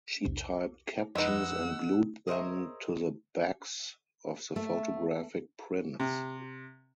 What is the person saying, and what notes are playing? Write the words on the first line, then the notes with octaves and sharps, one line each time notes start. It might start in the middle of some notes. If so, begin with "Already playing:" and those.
She typed captions and glued them to the backs of the photographic prints.
B1 E2 C3
F2 G#3 D#4 B4 F#5 E6
G#4 A#4 C5 C#5 D#5 E5
A3
C3